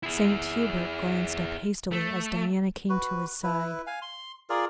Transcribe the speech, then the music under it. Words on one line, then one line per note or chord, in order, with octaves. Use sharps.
Saint Hubert glanced up hastily as Diana came to his side.
E4 G#4
A3
F#4 B4
E4 B4
F5 G#5
C6
F4 G#4 A#4 D5